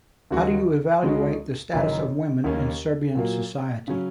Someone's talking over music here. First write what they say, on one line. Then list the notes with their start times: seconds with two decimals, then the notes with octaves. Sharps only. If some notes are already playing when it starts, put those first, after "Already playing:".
How do you evaluate the status of women in Serbian society?
0.31 D#2 C#3 G#3 F#4
1.02 C#2 C#3 G#3 F#4
1.73 F#1 F#2 D#3
2.44 D#2 C#3 A#3 C#4
3.15 A#2 F#3 A#3
3.88 C#3 F#3 C#4